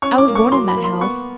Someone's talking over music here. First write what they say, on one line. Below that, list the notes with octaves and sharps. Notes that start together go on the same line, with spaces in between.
I was born in that house.
C#4 C#6
D6
A#3
C#6
F#3 C6
B5
A#3
C6
B3 C#6